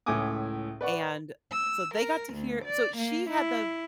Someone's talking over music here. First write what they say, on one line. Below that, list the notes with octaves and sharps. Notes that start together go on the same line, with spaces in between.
and so they got to hear so she had the
C#2 A2 E4 G#5 D6 D#6
B4 D5 F#5 C#6
E6
A#4
D2
D5
A#3
E4